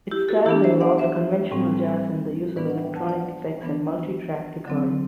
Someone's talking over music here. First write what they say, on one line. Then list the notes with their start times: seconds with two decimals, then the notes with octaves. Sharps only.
Its style involves conventional jazz and the use of electronic effects and multitrack recording.
0.11 E4 G4
0.28 F#4 A4
0.46 E3 B3 D4 E4 G4
0.63 C5 E5
0.81 D5 F#5
0.99 C5 E5
1.51 A2 G3 C4
2.56 A2 E3 B3 D4 B4 D5
2.70 D5 F#5
2.82 E5 G5
2.96 F#5 A5
3.09 D5 F#5
3.61 E3 B3 D4
4.66 D3 F#3 C4